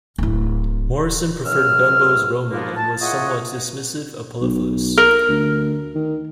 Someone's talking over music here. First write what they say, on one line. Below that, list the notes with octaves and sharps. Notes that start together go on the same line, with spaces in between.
Morison preferred Bembo's roman and was somewhat dismissive of Poliphilus.
D1 E4
C#2 F#2 E6 F6
D#2 G#2 F3 A#3 B3 F4
A5
E4 F4 G#4 C#5 D#5 F#5
B1
A#4
D2
D#3